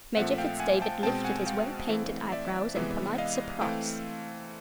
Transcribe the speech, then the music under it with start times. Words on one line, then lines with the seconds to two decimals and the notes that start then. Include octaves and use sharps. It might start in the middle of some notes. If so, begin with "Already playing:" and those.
Major Fitz-David lifted his well-painted eyebrows in polite surprise.
0.17 A#2 F3 A3 C4 E5 F#5
0.38 F5 G5
0.60 F#5 G#5
0.82 G5 A5
1.03 B2 G#3 C4 G5 A5
1.24 F#5 G#5
1.46 F5 G5
1.89 E3 A3 C4
2.32 D5 E5
2.75 C3 E3 G#3 B3
3.18 D#5 F5
3.61 E3 A3 C4 F5 G5